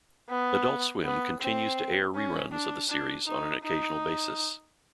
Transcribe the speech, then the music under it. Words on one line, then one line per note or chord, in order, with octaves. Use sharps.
Adult Swim continues to air reruns of the series on an occasional basis.
B3
B3
C4
C#4
D4
D4
D#4
D#4